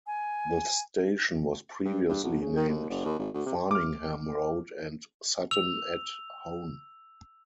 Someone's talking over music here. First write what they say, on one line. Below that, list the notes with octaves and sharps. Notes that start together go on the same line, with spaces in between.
The station was previously named Farningham Road and Sutton-at-Hone.
G#5
G2
G2
B1
C#3
D#3
D#2
F#1
D#2
G#1
D2
C3
D6 F6
E6 F7